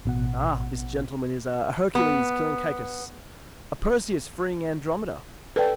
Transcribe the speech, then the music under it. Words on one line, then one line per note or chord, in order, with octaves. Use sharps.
"Ah, this gentleman is a Hercules killing Cacus, a Perseus freeing Andromeda."
A1 B2 F#5
B3
A4 B4 D5 G5